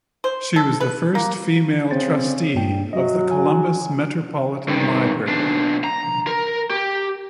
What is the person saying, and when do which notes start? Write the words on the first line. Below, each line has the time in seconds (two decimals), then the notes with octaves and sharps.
She was the first female trustee of the Columbus Metropolitan Library.
0.24 C5
0.56 A4
0.80 B4
1.15 A#3
1.91 C#3 C4 C5 A6
2.55 G2 D4 G5
2.93 F#3 D#5 E5
3.31 G#5
4.68 G2 D#3
5.27 B1 D4
5.84 A#5
6.27 A#4
6.70 G4